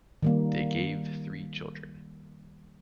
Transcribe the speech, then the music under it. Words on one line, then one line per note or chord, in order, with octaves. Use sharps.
They gave three children.
D#3 G3 A#3